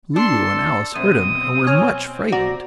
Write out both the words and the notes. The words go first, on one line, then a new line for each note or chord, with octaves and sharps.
Lulu and Alice heard him, and were much frightened.
D4 A4 C6
F#2 B2 C4 D#6
C#5 G#5 F6
F#4 D5 A#5